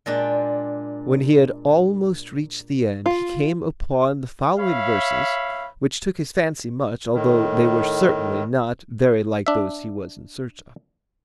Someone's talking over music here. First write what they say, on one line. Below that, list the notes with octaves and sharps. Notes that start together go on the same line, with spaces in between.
When he had almost reached the end, he came upon the following verses, which took his fancy much, although they were certainly not very like those he was in search of.
A#2 G#3 D4 G5
F4
C#5 E5 F5 B5
A2 D#3
D4 E5